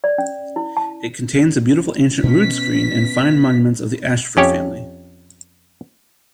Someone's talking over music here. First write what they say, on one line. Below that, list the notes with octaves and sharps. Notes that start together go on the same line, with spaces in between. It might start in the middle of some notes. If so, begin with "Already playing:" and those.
It contains a beautiful ancient rood-screen, and fine monuments of the Ayshford family.
D5
C#4
E4
A5
B2 C#4 B6
F2 C#4 G4 C#5